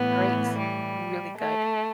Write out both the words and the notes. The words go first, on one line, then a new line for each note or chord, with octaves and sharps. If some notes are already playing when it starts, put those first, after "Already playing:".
great, really good.
Already playing: A2 E3 B3
G3
A3